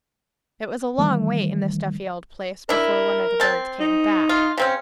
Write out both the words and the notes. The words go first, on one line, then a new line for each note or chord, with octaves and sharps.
It was a long wait in the stuffy old place before one of the birds came back.
D#3 E3 G3 A3
D4 E4 A#4
C4 A5
D#4
F4
C#3 C4 C#4